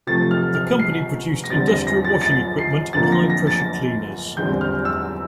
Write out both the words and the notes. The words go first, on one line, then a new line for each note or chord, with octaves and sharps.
The company produced industrial washing equipment and high pressure cleaners.
C3 F3 A3 A6
F6
F6
C7
A#6
E2 D3 G3 C4 A6
A#6
A#6
A6
A6
C7
F2 D3 F3 A#3 A6
A#6
A#6
A6
E2 D3 G3 C4 G6
F6
E6